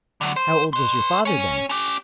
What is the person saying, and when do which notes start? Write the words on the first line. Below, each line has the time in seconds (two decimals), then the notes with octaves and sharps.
"How old was your father then?"
0.21 D3 F#3
0.36 C5
0.73 B4 C6
1.25 C#5 G#5
1.69 C#4 G4